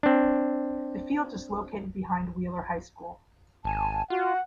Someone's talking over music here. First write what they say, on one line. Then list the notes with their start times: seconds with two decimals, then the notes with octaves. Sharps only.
The field is located behind Wheeler High School.
0.03 C4 D4
3.65 G#1 G#5 A5
4.10 F4 F#4 F#5